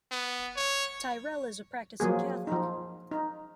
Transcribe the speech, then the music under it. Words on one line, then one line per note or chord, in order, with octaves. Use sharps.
Tyrrell is a practicing Catholic.
B3
C#5
F3 F#3 A#3 G#4
F3 D#4
D#4